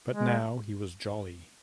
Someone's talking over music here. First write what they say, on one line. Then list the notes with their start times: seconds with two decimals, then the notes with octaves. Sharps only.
But now he was jolly.
0.12 G#3